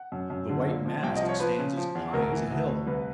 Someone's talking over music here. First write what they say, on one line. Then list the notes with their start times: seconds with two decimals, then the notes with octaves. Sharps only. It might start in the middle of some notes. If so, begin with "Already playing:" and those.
"The white mast stands as high as a hill."
Already playing: F#5
0.12 F#2
0.30 F#2
0.49 D3
0.67 A#2
0.86 F3
1.03 C2 G5
1.16 D#5
1.22 F3
1.28 C#5
1.40 F3 B4
1.59 C#3
1.77 F3
1.95 E2
2.13 D2 A#4
2.32 E3
2.51 D2
2.68 D2
2.87 C2 B4